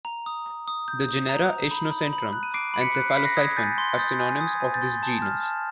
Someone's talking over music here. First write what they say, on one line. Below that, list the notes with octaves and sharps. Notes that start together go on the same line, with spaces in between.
The genera Ischnocentrum and Sepalosiphon are synonyms of this genus.
A#5
D#6
A#5
D#6
G6
D#6
A#5
A#5
B5
B5
B5
F#6
D#7
D6 C7 D7
B5
B6 C#7
F#6
C7
B5 B6
A#6 C7
D#6 G#6
G#5 G6 A6
C6
D#6 G6 A6
G#5 G6
D#6
G#6
G#5
G6 A6
C6
A5
F6
A5